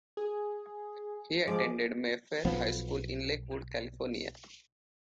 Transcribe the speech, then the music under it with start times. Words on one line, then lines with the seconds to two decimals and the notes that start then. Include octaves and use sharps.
He attended Mayfair High School in Lakewood, California.
0.17 G#4
1.48 F3 G#3 D6
2.45 B1 F3 B3